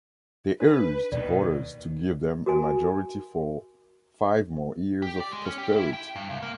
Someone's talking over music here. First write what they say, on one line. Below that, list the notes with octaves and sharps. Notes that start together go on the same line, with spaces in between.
They urged voters to give them a majority for "five more years of prosperity".
D4 B4 C5
D#2 B2 D#3 D5
F#4 A#4 G#5
G4
D5
G#3
C#4
G4
E4
G5
G2
C2
A#3